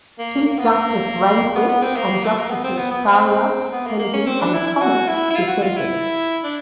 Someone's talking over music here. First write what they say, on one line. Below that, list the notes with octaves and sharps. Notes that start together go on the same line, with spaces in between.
Chief Justice Rehnquist and Justices Scalia, Kennedy, and Thomas dissented.
A#3
A#3
B3
A#3
B3
B3
C4
A#3
A3
A#3
B3
C4
B3
B3
C4
B3
A#3
A#3
C#4
C4
D4
E4
E4
F#4
E4
E4
F4
F#4
F4
E4
D4